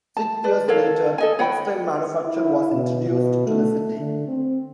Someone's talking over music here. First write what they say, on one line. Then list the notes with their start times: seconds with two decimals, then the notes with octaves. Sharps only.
Six years later, textile manufacture was introduced to the city.
0.17 A5
0.44 B4 D5
0.68 A4 A#4 C#5 F5
1.18 A4 D#5 G#5
1.39 C#5 F#5 G5 B5
2.25 E4
2.73 B2
3.09 B2
3.47 A3
3.99 D3
4.28 C4